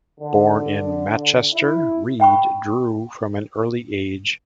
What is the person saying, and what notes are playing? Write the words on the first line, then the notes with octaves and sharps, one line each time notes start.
Born in Machester, Reid drew from an early age.
D3
E4
E5 G5 B5 C#6